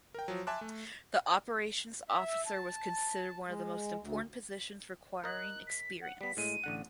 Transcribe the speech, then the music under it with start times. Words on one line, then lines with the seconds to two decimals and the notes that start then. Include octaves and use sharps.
The Operations Officer was considered one of the most important positions requiring experience.
0.14 A#4 G5
0.28 F3 F#3
0.47 E5 G#5 A5 C6 D6 F#6
0.61 A3
2.09 E5
2.47 A5
3.48 G#3
4.00 D2
5.24 A#4 D#5 F#6
5.67 B6
6.01 F#5
6.21 G3 B3 B6
6.37 A2 G#3 D#7
6.64 A1 D3 F#5